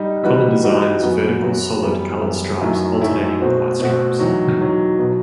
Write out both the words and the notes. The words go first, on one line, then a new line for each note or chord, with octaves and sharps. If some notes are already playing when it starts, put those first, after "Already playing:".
A common design is vertical solid colored stripes alternating with white stripes.
Already playing: G3 D#4
E3 G3 D#4 F#4 B4
E3 G3 D#4 F#4 B4
F#2 F#3 B3 F#4
F#2 F#3 B3 F#4
F#2 E3 G3 B3
F#2 E3 G3 B3
F#2 D#3 F#3 A3 E4
F#2 D#3 F#3 A3 E4
B2 A3 C4 F#4
B2 A3 C4 F#4
E2 D#3 F#3
E2 D#3 F#3
B2 F#3 B3